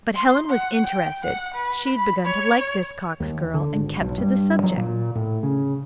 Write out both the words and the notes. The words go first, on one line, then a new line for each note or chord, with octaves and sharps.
But Helen was interested; she had begun to like this Cox girl, and kept to the subject.
C6
F#5
G5
F#5
B4
B5
C#5
D#2
D3
G#1
B1
G2
F#3
A#2
A2
C#3